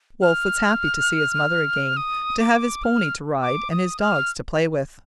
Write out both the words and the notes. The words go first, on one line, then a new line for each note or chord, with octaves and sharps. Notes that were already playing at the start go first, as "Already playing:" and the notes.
Wolfe was happy to see his mother again, to have his pony to ride and his dogs to play with.
F6
D#6
D6
F6
D6
D#6
F6